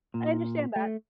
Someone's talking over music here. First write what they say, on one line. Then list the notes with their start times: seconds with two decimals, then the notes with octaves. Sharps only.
I understand that.
0.14 A#2
0.76 A3